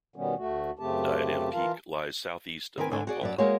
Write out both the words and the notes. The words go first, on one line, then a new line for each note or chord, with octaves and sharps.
Diadem Peak lies southeast of Mount Palmer.
B2 D#3 G3 B3 C#4
D2 A3 F#4
F#2 C#3 A3 C4 G4 A5
E3 F4 A#4 F5 A5
D#3 C4 A#4 B4 G#5
G#2 D3 D4 G#5
F#4 G#4 D5
F#2 F#3 D5
G#3 A#3 F#4 G#4 C#5